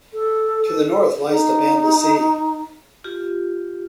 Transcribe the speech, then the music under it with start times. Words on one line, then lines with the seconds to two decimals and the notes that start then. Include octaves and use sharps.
To the north lies the Banda Sea.
0.13 A4
1.30 D#4
3.04 F4 G4